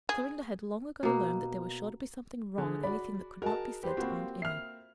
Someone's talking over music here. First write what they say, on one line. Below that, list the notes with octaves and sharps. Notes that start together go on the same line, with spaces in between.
Clorinda had long ago learned that there was sure to be something wrong in anything that could not be said to Aunt Emmy.
G#4
B2 A#3
D3 G#4
F#4 D5 B5
F#4 G#4 A#4 D#5 A5
G4 B4 C5
A#3 C4 F4 F#4 B4
E5 F6 C7